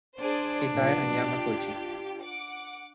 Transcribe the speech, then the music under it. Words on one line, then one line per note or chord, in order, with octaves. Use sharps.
He died in Yamaguchi.
D4 G#4 C5 D5
A#2 F3 B3
F4 G4
F#5 D6